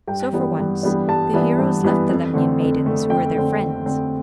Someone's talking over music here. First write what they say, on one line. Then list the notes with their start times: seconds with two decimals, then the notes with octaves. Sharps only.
So, for once, the heroes left the Lemnian maidens who were their friends.
0.07 G2 G5
0.33 E3 G3 B3 D4
0.58 G2
0.83 E3 G3 B3 D4
1.08 G2 A5
1.34 E3 G3 B3 D4
1.59 G2
1.84 E3 G3 B3 D4
2.09 F2
2.34 D3 A3 C4
2.60 F2
2.85 D3 A3 C4
3.10 F2 G5
3.35 D3 A3 C4
3.61 F2
3.85 D3 A3 C4